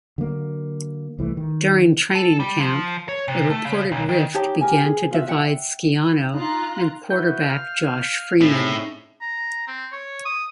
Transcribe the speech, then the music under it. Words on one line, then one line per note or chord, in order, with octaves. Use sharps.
During training camp, a reported rift began to divide Schiano and quarterback Josh Freeman.
D3 F#3 A#3
C2 E3 G#3 A3
D#3
A4
G3
F3
C#5
C3
A3
C#3
B1
D#3
D#4 G4 C#5 A5
G4 A#4 G#5
G#4
F4 F#4 E5
E5 F#5 G5
D#4 F4 A#5 F#6
E4 F#4 B4 G6
F5 F6
A2 C4 C#4 D#4 E4 G#4
A#5
C4
C#5
D#6